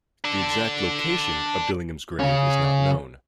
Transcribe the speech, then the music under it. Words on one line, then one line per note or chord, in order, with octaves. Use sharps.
The exact location of Dillingham's grave is not known.
D4 A4
C#3 C#4